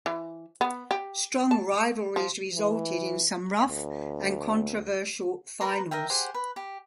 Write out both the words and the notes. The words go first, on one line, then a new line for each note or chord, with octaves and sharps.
Strong rivalries resulted in some rough and controversial finals.
E3
B3
G4
A5
F3
E3
D2
A#4 B4 A#5 C6
A#4 D#5 E5 G5
G4 G#4 C5 F#5
B4
G4